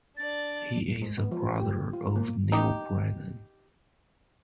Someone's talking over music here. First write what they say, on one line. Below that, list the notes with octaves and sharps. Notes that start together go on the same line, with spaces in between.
He is the brother of Neal Brennan.
D4 D5 A6
G#3
B3
F3
G4
F4
A#3
D#4 G4